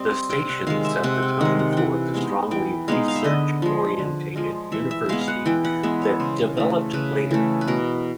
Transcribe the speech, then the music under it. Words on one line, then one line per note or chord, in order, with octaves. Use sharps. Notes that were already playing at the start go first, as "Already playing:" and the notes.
The station set the tone for the strongly research-oriented university that developed later.
Already playing: G3 C4 D#5
C3 G5
F#5
D#3 G#3 F5
E5
C3 F#5
G5
D#3 G#3 F#5
F#5
E3 F#5 G5
G#3 B3 D#4
E3 G5
G#3 B3 D#4 F5
F5
E5
D3 D#5
F3 G#3
D3
F3 G#3
E3 E5
E5
G#3 B3 F5
F5
F#5
E3 G5
F#5
G#3 B3 E5
C#5
C#3 C5
E3 A3
C#3 B4
E3 A3
B4
B2 A#4